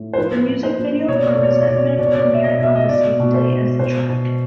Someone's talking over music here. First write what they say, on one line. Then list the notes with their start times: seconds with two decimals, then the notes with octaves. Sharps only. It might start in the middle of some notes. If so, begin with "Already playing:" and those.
The music video for "Resentment" premiered on the same day as the track.
Already playing: A2
0.14 C5
0.18 F3 B4
0.48 A#2
0.63 C5
0.78 A#2
1.08 B2 C#5
1.17 D5
1.25 C#5
1.34 B2 D5
1.43 C#5
1.51 D5
1.60 C#5
1.68 B2 D5
1.77 C#5
1.98 B2 D5
2.07 C#5
2.14 D5
2.29 B2 E5
2.44 D#5
2.58 B2 E5
2.76 D#5
2.89 B2 D5
3.20 B2
3.34 C5
3.49 B2
3.79 B2 C5
4.10 B2